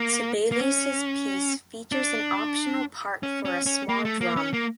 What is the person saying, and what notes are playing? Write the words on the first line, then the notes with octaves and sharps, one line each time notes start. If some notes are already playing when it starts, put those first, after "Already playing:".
Sibelius’ piece features an optional part for a small drum.
Already playing: A#3
A#3
C#4
D4
C#4
C#4
C#4
A#3
A3
A#3
C#4
A#3